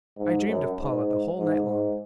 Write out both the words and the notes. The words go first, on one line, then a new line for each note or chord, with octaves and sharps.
I dreamed of Paula the whole night long.
G#2
F#2
G#2
G#2
G#2